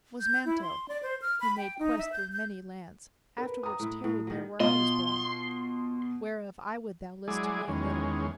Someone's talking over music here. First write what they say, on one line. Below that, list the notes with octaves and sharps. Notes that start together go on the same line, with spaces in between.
Was Manto, who made quest through many lands, Afterwards tarried there where I was born; Whereof I would thou list to me a little.
G6
E4
C6
D5
C5
F6
B5
G5
D#4
E5
G6
G6
A#4 B4
A#5 D#6
A2 E4
A2
D#3 F#3
B2 F4 D#5 C6
F#3 G#3 E4 G#4 D5
E2 D#3 G#3 C#4